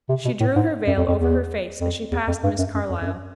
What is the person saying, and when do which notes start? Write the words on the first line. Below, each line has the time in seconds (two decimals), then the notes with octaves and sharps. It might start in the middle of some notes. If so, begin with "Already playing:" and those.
She drew her veil over her face as she passed Miss Carlyle.
0.09 C3
0.25 B2
0.40 A2
0.56 G#2
0.87 F#2
0.98 F2
1.08 F2
1.18 E2
1.81 F2
2.12 E2
2.27 F2
2.44 G2
2.59 F#2
2.75 F#2
2.90 F2
3.01 F2
3.06 F#2